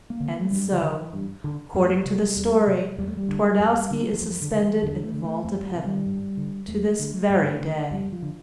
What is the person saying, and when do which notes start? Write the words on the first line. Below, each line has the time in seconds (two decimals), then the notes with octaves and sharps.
And so, according to the story, Twardowski is suspended in the vault of heaven to this very day.
0.10 A#3
0.20 D3
0.30 A#3
0.40 A3
0.51 G2 G3
0.72 D3
0.82 D3 F3
0.92 E3
1.13 G2
1.44 D3
1.74 F2 G3
1.84 A3
1.95 G3
2.05 C3
2.36 E2
2.67 C3
2.98 E2 G3
3.07 A3
3.17 G3
3.28 D3
3.60 F2
3.91 D3
4.13 E3
4.21 F2 F3
4.42 D3
4.52 D3
4.62 E3
4.83 E2 D3
5.04 A3
5.14 D3
5.24 A3
5.45 F2 A3
5.58 G3
5.71 C3 F3
5.85 G3
6.06 G2
6.37 D3
6.68 E2 A3
6.99 D3
7.30 G2
7.61 D3
7.91 F2 G3
8.12 F3
8.22 D3